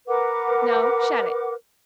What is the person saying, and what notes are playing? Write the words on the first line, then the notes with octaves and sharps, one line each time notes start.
No, shut it.
A#4 B4 F#5 D6